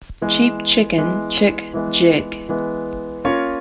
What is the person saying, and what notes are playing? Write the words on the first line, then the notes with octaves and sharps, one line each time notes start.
Cheap chicken chick jig.
E3 G#3 B3
E3 G#3 B3
E3 G#3 B3
E3 G#3 B3
A#3 C#4 F4 A#4 C#5